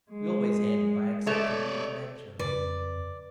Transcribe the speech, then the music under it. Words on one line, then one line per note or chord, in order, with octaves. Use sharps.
We always end by accepting the intervention.
G#3
A3 C#5 D5
F2 C#3 B4 D5